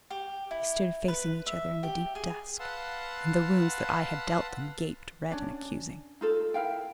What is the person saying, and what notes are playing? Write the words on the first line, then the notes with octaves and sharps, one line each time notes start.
They stood facing each other in the deep dusk, and the wounds that I had dealt them gaped red and accusing.
G4
E4
B4
E5
G4
G#4
B4 F5 F#5 A5 C6 E6
C#4 D4 D5
D#4 F4 A4
E4 A#4 F5 G5